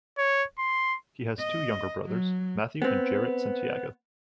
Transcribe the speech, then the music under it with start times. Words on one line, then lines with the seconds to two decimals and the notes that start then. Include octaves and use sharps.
He has two younger brothers, Matthew and Jarrett Santiago.
0.18 C#5
0.59 C6
1.40 D#5
2.05 F#3
2.82 B3 C4